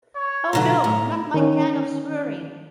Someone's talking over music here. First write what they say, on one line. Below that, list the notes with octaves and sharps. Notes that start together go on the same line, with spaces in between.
Oh no, not my kind of swearing.
C#5
B2 D3 F#3 A#5
A2
D#3 C#4